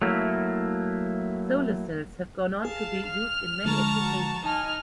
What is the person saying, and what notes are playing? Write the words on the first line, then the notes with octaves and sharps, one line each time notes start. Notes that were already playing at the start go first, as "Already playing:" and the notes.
Solar cells have gone on to be used in many applications.
F#3 A3 A#3 E4
G#4 F5 A5
F6
D3 F3 G#3 A5 A#5 C#6
F#4
D#4 G#5 A5 F6